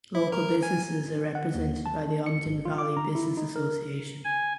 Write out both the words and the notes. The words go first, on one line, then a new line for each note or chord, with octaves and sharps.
Local businesses are represented by the Ogden Valley Business Association.
E4
A#4
G#5
F#5
D#2
A5
D#3
C#7
G#1
F4
D6
A#5
E4
D#4
A#4
G#5